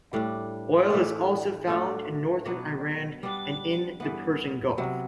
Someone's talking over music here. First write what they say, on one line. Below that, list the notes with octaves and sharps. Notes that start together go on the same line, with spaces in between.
Oil is also found in northern Iran and in the Persian Gulf.
A2 G3 D4
E3 A3 D4
A3 D4 F#4 A4
B2 F#3 B3 D4
G3 B3 D4
G2 E3 B3
C3 F#3 B3